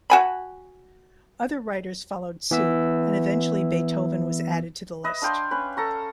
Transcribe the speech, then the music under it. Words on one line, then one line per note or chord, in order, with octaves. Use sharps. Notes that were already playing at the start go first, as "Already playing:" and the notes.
Other writers followed suit and eventually Beethoven was added to the list.
F#4 G#5 B5
E3 B3 E5 E6
B4 D#5 E5
D4 F5 G5 C6
C#4 B4
A4 A#5 C#6